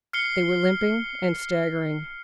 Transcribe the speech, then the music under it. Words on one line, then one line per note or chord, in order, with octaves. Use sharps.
They were limping and staggering.
F6 C7 C#7 G7